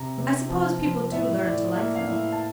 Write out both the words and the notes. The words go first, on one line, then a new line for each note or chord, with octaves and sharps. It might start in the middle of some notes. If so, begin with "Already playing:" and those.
I suppose people do learn to like them.
Already playing: C3 A#5
C3
F3
F3
A2 E5
A2 D5
A#3 E5
F5
A2 E5
A5